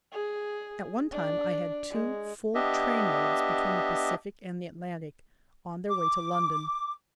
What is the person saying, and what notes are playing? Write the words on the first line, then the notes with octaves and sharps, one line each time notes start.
At one time I had two full trainloads between the Pacific and the Atlantic, on their way to London.
G#4
D4
G#3
B3 D4 G4 D#5 E5
D6